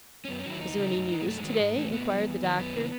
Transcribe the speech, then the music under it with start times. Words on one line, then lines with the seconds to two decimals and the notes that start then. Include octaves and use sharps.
'Is there any news today?' inquired the Doctor.
0.25 C#4
0.28 F#2 B3
0.39 C#4
0.46 D#3 F#3 E4
0.61 E2 D#4
0.77 C#3 E3
0.95 F#2
1.12 E3
1.22 G#3
1.27 F#2 A3
1.38 G#3
1.44 D#3 F#3
1.50 A3
1.60 G#2 G#3
1.76 E3 A3
1.93 A2 B3
2.10 F#3
2.26 E2
2.43 D#3 F#3
2.59 F#2 B3
2.75 C#3 E3